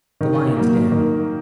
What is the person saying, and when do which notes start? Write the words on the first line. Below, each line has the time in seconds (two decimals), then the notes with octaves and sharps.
The Lions' Den.
0.21 D#3
0.57 F#3 A#3
0.92 D#3